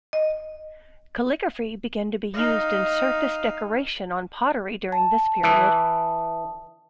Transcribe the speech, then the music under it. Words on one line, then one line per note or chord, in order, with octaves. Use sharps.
Calligraphy began to be used in surface decoration on pottery during this period.
D#5
D#4 F5
A5
E3 A5 D#6